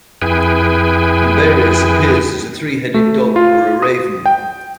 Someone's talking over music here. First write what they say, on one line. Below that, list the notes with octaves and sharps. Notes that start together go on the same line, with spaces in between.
Naberius appears as a three-headed dog or a raven.
F2 E4 G#4 B4 G5 G#5
A3
F4
D#6
G5